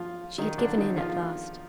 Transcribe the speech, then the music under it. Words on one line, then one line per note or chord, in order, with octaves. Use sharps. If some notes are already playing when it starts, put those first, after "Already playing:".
She had given in at last.
Already playing: F3 F4
D#3 D#4
D3 D4
D#3 D#4
F3 F4